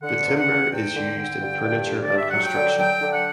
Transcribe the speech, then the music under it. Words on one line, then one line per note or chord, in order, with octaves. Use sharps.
The timber is used in furniture and construction.
D3 F#5
E2
F#5
E2
E2 G5
D3
D3
G2
G2
D3
D5
G2
E5
F#3 F#5
G5
D3
F#3 G5
D3
F#5